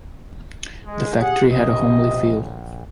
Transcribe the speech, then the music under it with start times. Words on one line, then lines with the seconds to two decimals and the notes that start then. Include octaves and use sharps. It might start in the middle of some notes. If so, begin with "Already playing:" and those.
The factory had a homely feel.
0.85 G#3
1.19 G4 G#4 F#5
1.50 A#1 C3 D#5